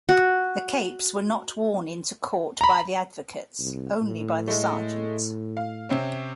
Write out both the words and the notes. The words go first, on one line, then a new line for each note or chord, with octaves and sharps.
The capes were not worn into court by the advocates, only by the serjeants.
F#4
A#5 B5
C2
A2
G#3 A3
F5
C3 C4 C#4